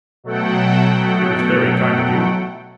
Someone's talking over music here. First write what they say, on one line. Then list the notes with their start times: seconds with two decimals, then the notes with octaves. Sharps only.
It was very kind of you.
0.24 B2 F#3 A3 A4 F#5 G5